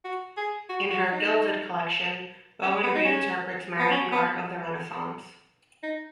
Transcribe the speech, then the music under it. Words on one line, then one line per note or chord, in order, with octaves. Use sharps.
In her "Gilded" collection, Bowen reinterprets Marian art of the Renaissance.
F#4
G#4
F#4
F#4
D#4
C#4
B3
D#4
C#4
B3
C#4
B3
D#4